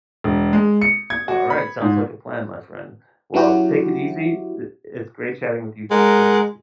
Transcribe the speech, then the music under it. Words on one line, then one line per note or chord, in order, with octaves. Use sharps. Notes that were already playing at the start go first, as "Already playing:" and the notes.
Alright. Sounds like a plan, my friend. Well, take it easy. D it's great chatting with you too. Take it easy.
E1
G#3
C#7
G#6
F#4
B5
G#2
F#3 C#4 E4 F#4 G4
G#3 A#4 F#5